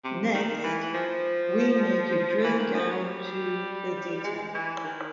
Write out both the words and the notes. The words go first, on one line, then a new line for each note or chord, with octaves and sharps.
Next, we need to drill down to the detail.
C3
D#3
E3
E3
F3
E3
D#3
F3
F#3
G3
G#3
E3
D#3